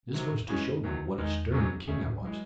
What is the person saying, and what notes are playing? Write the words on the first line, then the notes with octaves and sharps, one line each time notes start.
This was to show them what a stern king I was.
C3 D#3 E3 F#3
C#3
A2
F#2
E3 G#3 C#4 G#4
E2 D#3 F#3
E2 D#3 G#3 D#4
C2 C3 F#3 C#4 G#4
E2 D#3 A3 C#4 G#4
F#2
A2
G#2
E3 F#3 G#3